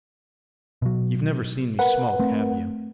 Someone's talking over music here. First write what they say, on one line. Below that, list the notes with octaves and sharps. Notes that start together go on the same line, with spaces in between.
You've never seen me smoke, have you?
B2 F#3
A#4 B4 F#5
A3 C4